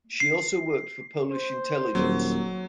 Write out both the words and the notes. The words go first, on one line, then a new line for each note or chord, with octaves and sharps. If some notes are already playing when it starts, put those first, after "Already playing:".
She also worked for Polish intelligence.
C7
C5
D#1 F#3